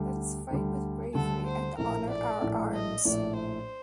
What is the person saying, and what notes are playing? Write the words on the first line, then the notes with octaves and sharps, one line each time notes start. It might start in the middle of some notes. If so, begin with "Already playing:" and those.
Let us fight with bravery and honor our arms.
Already playing: D2 D3 G3
D2 D3 G3
D2 D3 G3 A4
C5
A#1 A2 A3 A#4
D5
A#1 A2 A3
D#5
A#1 A2 A3 D5
C5